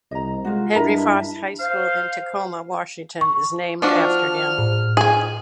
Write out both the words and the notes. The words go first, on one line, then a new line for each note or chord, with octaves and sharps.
Henry Foss High School in Tacoma, Washington is named after him.
C2 D#5 A#5
G#3 F4 F#4
G2 D4 E4 A#4 D#5 E5 A#5
C5 F5
C#6
F3 D4 F#4 F6
A2
G#4 G#5